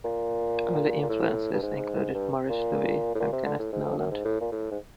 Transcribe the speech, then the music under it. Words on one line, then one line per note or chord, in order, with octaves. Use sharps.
Early influences included Morris Louis and Kenneth Noland.
A#2
A#2
A2
G2
G#2
G2
A#2
A2
A#2
C3
D3
A2
G#2
F2
F#2
G#2
A2
A#2
A2
G#2